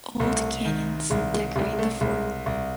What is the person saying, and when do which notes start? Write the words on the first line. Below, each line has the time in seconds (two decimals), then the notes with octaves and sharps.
Old cannons decorate the fort.
0.20 C2 A3
0.65 D#3
1.10 C2 G#3
1.33 G#3
1.56 C2 G3
1.73 G#3
1.79 A3
2.01 C2 G#3
2.46 C2